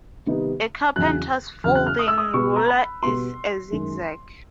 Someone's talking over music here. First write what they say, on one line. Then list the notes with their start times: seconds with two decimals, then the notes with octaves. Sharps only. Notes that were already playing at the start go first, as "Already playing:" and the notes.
A carpenter's folding ruler is a zigzag.
0.26 C3 D#3 G3 B3 D#4
0.96 E2 C#3 F#3 F#6
1.64 E2 C#3 F#3 F6
1.75 F#6
1.86 F6
1.99 D#6
2.08 E6
2.18 D#6
2.33 B2 G3 B3 C#6
2.56 A#5
2.68 B5
3.03 B2 G3 B3 C6
3.71 F#2 D#3 G#3